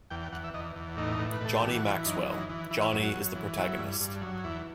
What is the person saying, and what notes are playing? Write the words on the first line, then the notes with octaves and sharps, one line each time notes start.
Johnny Maxwell - Johnny is the protagonist.
E2 G5
G5
E2 F#5
E5
E2 D#5
E2
A2 D#4
A2
B4
A2 A4
E3 G4
F#4
E3 E4
F#2 D#4
E3
D#4
E3
E3 E4
E4
F#2 F#4
F#4
F#2
E3
F#3 E4
G2
G2
F#3
E2 E4